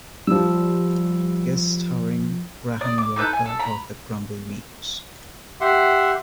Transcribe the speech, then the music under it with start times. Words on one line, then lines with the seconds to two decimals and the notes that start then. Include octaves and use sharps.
Guest starring Graham Walker of The Grumbleweeds.
0.27 F3 G3 E6
2.81 D5 D#6
2.98 D6
3.16 D#4 A4 B4 G6
3.33 G#5
3.46 A4
3.59 A#5 B5
5.61 G4 E5 F#5 C6